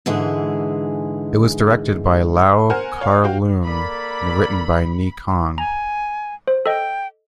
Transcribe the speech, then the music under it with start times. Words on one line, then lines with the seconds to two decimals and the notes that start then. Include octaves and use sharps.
It was directed by Lau Kar-Leung and written by Ni Kuang.
0.06 G#2 D3 E3 G#3 G#4
2.70 A#4 C5 F#5 G#5 F6
3.01 C#5 F5
3.24 F#4 F5 G5
3.66 A#3 A4 D5 B5
5.58 G#5 A#5
6.48 C5
6.66 A4 D#5 G5